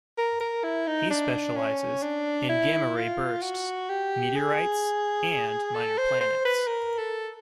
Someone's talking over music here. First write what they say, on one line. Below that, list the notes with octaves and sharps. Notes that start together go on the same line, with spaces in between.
He specialises in gamma-ray bursts, meteorites and minor planets.
A#4
A#4
E4
D#4
D4
C#4
D4
E4
F4
F#4
G4
G#4
A4
C5
C5
B4
A#4
A4